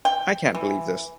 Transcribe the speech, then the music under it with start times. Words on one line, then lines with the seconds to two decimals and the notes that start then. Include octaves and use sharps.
I can't believe this.
0.05 G5
0.55 E3